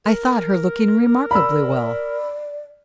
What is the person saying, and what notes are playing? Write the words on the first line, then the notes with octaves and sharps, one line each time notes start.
'I thought her looking remarkably well.
A#4
D5 B5 E6